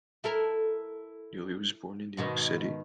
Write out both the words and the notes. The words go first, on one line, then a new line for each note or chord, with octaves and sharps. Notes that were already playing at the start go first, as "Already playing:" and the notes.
Newley was born in New York City.
E4 A4 A#4
G#2 B2 D#3